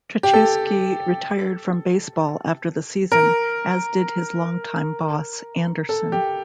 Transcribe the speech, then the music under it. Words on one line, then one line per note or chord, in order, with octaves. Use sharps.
Tracewski retired from baseball after the season, as did his long-time boss, Anderson.
G4
A4
A#4
A4
G4